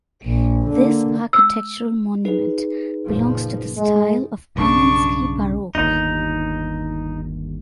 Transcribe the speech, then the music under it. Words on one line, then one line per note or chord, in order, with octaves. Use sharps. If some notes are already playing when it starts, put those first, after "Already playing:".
This architectural monument belongs to the style of "Anninsky Baroque".
A#1
D3 A#3
E6
D#4 G#4 B4
F#1 A#2 F3
G#2 G#3
B1 G2 C#3 D4 C#6
G1 D#2 D#4